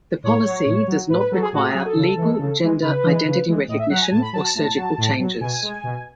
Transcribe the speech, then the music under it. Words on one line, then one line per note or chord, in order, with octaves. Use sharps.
The policy does not require legal gender identity recognition or surgical changes.
A2 C#5
F#3
A2
F#3
A2 B4
B4
F#3 A4
G#4
A2 F#4
G#4
F#3 G#4
A4
C#3
E3 G#3
C#3
E3 G#3
C#3 B4
E3 G#3
C#3
E3 G#3
A2 D#5
E5
F#3 F#5
G#5
A2 A5
B5
F#3 A5
A5
A2
F#3
A2
F#3
B2 G#5
G#3
B2